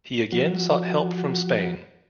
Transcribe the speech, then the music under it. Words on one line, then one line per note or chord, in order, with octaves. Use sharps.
He again sought help from Spain.
F3 F#4